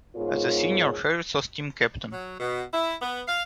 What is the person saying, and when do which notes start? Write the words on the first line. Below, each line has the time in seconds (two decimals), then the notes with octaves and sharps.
As a senior, Harris was team captain.
0.15 G#2 B3 F4 G#4 A#4 C#5
2.12 F#3
2.40 B2
2.73 E4
3.01 B3
3.27 F5